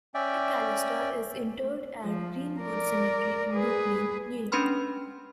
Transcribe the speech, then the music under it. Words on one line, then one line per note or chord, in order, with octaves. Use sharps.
McAllister is interred at Green-Wood Cemetery in Brooklyn, New York.
C#4 D5 E5 G5
F3
A#4 D5
G#4 B4
C#4 D4 B4 B5 C6 F6